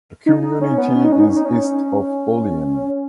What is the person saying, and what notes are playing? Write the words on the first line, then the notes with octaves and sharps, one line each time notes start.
The community is east of Olean.
D#4
D#4
C#4
B3
C#4
D#4
C#4
D#4
C#4
D#4
C#4
C#4